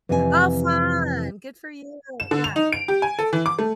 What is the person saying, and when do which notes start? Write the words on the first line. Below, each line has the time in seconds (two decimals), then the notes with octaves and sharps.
Oh, fun! Good for you. Yeah.
0.09 F2 C3 E3 C4 G4 G#5
2.20 E7
2.31 D3
2.44 F7
2.56 D#4
2.73 D7
2.88 G4
3.02 G#5
3.19 A4
3.33 E3
3.46 D6
3.59 A3